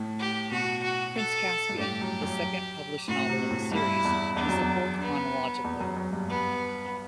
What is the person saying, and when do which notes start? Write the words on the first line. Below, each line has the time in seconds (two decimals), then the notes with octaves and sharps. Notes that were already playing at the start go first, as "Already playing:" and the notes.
"Prince Caspian", the second published novel in the series, is the fourth chronologically.
Already playing: A2
0.19 G4
0.52 B2 F#4
0.83 F#4
1.16 A4
1.69 G2
1.79 A2 G4
2.01 F#2
2.22 F#2
3.08 A2 F#4
3.29 C3
3.51 A2
3.72 G2 E4
4.05 E2
4.36 E2 D4
4.49 F#2
4.61 E2
5.00 B3
5.64 E2
5.80 F#2
5.97 F#2
6.13 G2
6.29 G2 B3